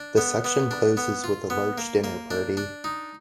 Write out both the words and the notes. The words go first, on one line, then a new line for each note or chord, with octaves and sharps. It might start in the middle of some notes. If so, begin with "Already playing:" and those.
The section closes with a large dinner party.
Already playing: D4
B3
B3
D4
B3
F4
B3
A#3
A#3
D4
D4
D#4